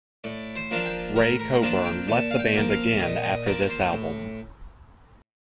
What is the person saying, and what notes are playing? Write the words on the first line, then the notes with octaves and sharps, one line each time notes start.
Ray Coburn left the band again after this album.
A2 D5
C5
F3 A#3 D4 F4
G5
A2 A#4
A#4
F3 A#3 D4 F4 D5
G5
A#2 A5
F5
G5
F3 A#3
F5
A#2 D#5
D#5
F3 A#3 D5
C5
A2